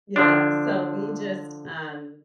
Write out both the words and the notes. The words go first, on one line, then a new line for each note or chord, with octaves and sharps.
yeah, so we just, um
D3 F3 D4